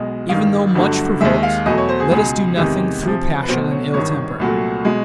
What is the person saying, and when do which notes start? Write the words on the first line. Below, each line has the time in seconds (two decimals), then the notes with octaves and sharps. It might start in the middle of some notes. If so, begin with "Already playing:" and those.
Even though much provoked, let us do nothing through passion and ill temper.
Already playing: B1 B2 G#3 D#5
0.29 A1 G2 D#3 F5
0.75 G1 G2 D3 F#3 A3
1.20 D#2 D#3 G#3 E5
1.43 F5
1.66 E2 B2 F#3 A3 D#5
1.78 C#5
1.89 C5
2.00 G#4
2.11 C#2 B2 G#3 G#4
2.57 E2 C3 D#3 G#3 G4
3.02 D2 C3 F3
3.43 B4
3.48 B1 B2 F#3 A3 C5
3.71 C#5
3.94 G#1 G2 D#3 C#5
4.39 C2 A#2 F#3 A3
4.85 B2 G#3